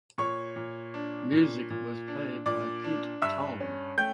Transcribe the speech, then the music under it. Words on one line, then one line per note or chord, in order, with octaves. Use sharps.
Music was by Pete Tong.
A#2 C#5 C#6
A#2
D4
A#2
A#2
D4
A#2 D5 D6
D4
G2 E5 E6
C#4
A3 G5 G6